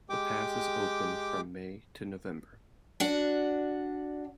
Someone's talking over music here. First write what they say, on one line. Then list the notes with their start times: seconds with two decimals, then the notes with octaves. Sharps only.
The pass is open from May to November.
0.09 G#3 G4 G5 D6
3.00 D4 F#4 D5 F#5